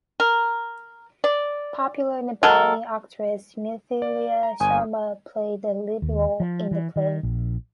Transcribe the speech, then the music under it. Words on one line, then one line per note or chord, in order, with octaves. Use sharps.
Popular Nepali actress Mithila Sharma played the lead role in the play.
A#4
D5
F#3 G#3 A4 A#4
D5
A#5
G1 G#5 D#6
D#2
F3
E3
D#3
A#1